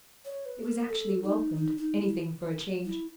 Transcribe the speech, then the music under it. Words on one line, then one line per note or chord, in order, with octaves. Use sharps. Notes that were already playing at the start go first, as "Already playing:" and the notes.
It was actually welcomed; anything for a change!
C#5
B4
A4
A#4
A4
D#4
D#4
D#4
E4
E4